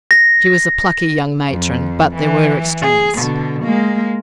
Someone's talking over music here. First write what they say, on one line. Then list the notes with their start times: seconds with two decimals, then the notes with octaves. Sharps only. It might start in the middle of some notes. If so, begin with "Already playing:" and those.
She was a plucky young matron, but there were extremes.
0.11 A#6
1.49 F2
2.15 E3
2.82 G#4
3.16 B2 D3
3.62 G#3 A#3